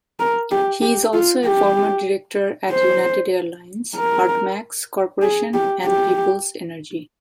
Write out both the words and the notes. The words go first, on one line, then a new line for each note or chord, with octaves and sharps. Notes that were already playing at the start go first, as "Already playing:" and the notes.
He is also a former director at United Airlines, Hartmarx Corporation and Peoples Energy.
A#4
G4
G4
F4
G4
C5
A#4
G#4
G4
G4